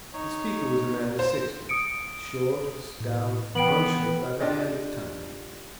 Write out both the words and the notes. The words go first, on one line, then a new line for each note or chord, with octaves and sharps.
The speaker was a man of sixty, short, stout, tonsured by the hand of time.
D#4 C#5
C5
D#6 C#7 D7
A2
E3 B3 G5 D7 F#7
D4 F4 G4 D#5